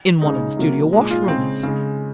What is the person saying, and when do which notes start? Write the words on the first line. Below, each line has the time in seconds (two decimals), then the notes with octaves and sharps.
"In one of the studio washrooms."
0.21 C#3 G#3 D#4
0.57 C3 F#3 A#3
0.93 A#2 G#3
1.11 F4
1.28 C#3 G#3 C4
1.63 C#3 G#3